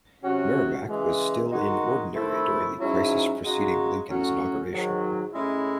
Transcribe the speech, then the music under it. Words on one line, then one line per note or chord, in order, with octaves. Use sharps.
"Merrimack" was still in ordinary during the crisis preceding Lincoln's inauguration.
C3 F#3 C#4 F#4
C#3 E3 G#3
D#3 G#3 D#4 F#4
D#3 A3 C4 E4
G#2 F#3 C#4 E4
C#3 G#3 D#4 F#4
A2 F#3 C#4 F#4
G#2 D#3 F#3
A2 G#3 C#4 E4